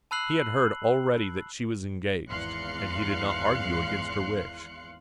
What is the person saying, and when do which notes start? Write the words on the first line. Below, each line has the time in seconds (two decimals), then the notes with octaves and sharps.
He had heard already that she was engaged, and he did not argue against her wish.
0.11 A5 B5 E6 F#6 C7 F#7
2.28 G#1 E2 F5 C6 F#6 C#7